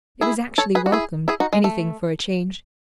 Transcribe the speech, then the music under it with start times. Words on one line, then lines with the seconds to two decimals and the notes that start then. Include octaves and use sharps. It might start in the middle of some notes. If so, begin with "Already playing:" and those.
It was actually welcomed; anything for a change!
0.21 E4 G#4
0.58 A4 C#5
0.75 G#4 B4
0.86 F#4
0.92 E4 G#4
1.28 E4 G#4
1.40 D#4 F#4
1.53 G#3
1.64 A3